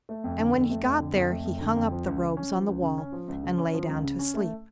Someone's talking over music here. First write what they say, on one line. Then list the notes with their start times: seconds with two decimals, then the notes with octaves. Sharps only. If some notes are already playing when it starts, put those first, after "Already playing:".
And when he got there he hung up the robes on the wall, and lay down to sleep.
0.09 A3
0.24 F2
0.39 D3
0.54 F2
0.70 A3
0.85 F2
1.00 D3
1.15 F2
1.30 A3
1.45 F2
1.61 D3
1.76 F2
1.91 F3
2.06 C#2
2.21 C#3
2.37 C#4
2.52 F3
2.67 C#2
2.82 C#3
2.98 C#4
3.12 F3
3.28 C#2
3.43 C#3
3.58 C#4
3.73 F3
3.89 C#2
4.04 C#3
4.19 C#4
4.34 A3